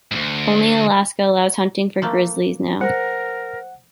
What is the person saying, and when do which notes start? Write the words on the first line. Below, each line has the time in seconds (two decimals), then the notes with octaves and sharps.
Only Alaska allows hunting for Grizzlies now.
0.12 D2 G#2
2.02 F3 A3 A#3
2.81 A#4 C5 F#5